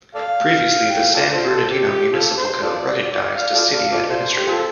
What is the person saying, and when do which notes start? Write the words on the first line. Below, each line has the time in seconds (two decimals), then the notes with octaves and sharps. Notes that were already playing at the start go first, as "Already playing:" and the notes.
Previously, the San Bernardino Municipal Code recognized a City Administrator.
0.15 A4 D5 F5
0.90 G5
1.02 F5
1.14 F4 A4 D5
1.33 F4 A4 C5
1.51 A4
1.70 G4
1.88 G4
2.13 C4 F4 A4
2.37 C5
2.62 F4 A4 D5
2.87 D5
3.11 D5
3.36 F5
3.54 F4 A4 D5
3.73 A4 D5 F5
3.92 F4 A4 D5
4.10 F4 A4 C5
4.37 G4
4.47 C4 F4 A4